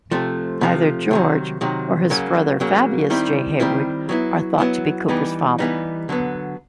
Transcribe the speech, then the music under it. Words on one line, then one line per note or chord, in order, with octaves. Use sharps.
Either George or his brother Fabius J. Haywood are thought to be Cooper's father.
C3 F3 A3
C3 F3 A3
C3 D#3 F#3
C3 D#3 F#3
C#3 F#3 A#3
C#3 F#3 A#3
D#3 G3 C4 E4
D#3 G3 C4 E4
F#3 B3 E4
F#3 B3 E4
E3 G3 B3 D#4
E3 G3 B3 D#4
D3 F#3 B3